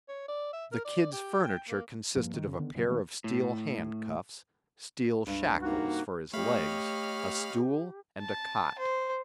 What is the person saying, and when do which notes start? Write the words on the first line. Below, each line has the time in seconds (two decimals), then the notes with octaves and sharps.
The "Kid's" furniture consisted of a pair of steel hand-cuffs, steel shackles for his legs, a stool, and a cot.
0.08 C#5
0.28 D5
0.53 E5
0.72 A#4
0.85 D5
1.12 G4
1.44 G5
1.69 A#3
2.15 F1 G2 F3 A#3
2.34 D#3
2.46 F2 C#3
2.59 D3 D#3 B3
2.74 D#1 E2 C#3 F#3
2.89 D2 D#3 G3 A#3
3.24 A2
5.27 C#2 G2
5.62 C3 A#3 D#4 F#4
6.33 A3 G4 C#5 D#5 F5 B5 F6
8.20 A5
8.79 C5